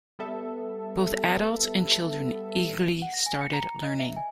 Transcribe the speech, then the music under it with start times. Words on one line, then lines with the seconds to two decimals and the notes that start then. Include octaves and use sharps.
Both adults and children eagerly started learning.
0.19 G3 B3 A4 E5
3.02 F#5
3.14 A#6
3.26 G#5
3.41 C#7
3.53 A#5
3.68 A#5
3.83 D#5
3.99 E5
4.16 G#5